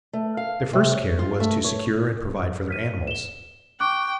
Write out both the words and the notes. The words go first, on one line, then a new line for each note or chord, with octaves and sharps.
Their first care was to secure and provide for their animals.
A3
F5
C3
C#5
F4
A3
C#5
F6 B6 D#7
E7 G7
G5 C#6 D6 F#6